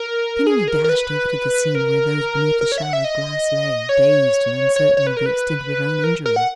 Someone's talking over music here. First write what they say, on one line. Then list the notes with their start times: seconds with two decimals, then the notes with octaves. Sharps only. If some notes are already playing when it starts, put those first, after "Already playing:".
Kennedy dashed over to the scene where those beneath the shower of glass lay, dazed and uncertain of the extent of their own injuries.
Already playing: A#4
0.47 G#4
0.68 A#4
0.84 A#4
0.89 B4
1.75 A#4
2.61 A#4
2.72 C#5
2.78 E5
2.82 F#5
2.93 E5
3.04 D#5
3.89 C#5
4.76 C#5
4.97 C#5
5.07 B4
5.17 A#4
5.26 B4
6.04 A#4
6.26 A#4
6.36 F#5